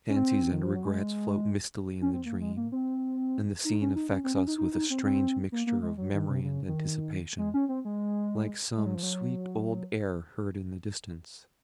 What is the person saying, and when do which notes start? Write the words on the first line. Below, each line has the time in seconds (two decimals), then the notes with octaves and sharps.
Fancies and regrets float mistily in the dream, and the scene affects us with a strange mixture of memory and anticipation, like some sweet old air heard in the distance.
0.09 C#4
0.16 C4
0.52 D#3
0.63 F3
0.75 F#3
0.85 G#3
2.02 C#4
2.13 C4
2.25 A#3
2.41 G#3
2.57 A#3
2.72 C4
3.64 D#4
3.81 C#4
3.96 D#4
4.11 C#4
4.24 C4
4.35 C#4
4.47 D#4
4.58 D#4
4.73 D#4
4.90 C4
5.05 C4
5.52 A#3
5.67 A#3
5.82 G#3
5.97 F#3
6.14 D#3
6.29 C3
6.44 C#3
6.68 D#3
7.38 G#3
7.54 C#4
7.69 C4
7.85 G#3
8.77 G#3
8.86 F#3
8.95 F3
9.03 F#3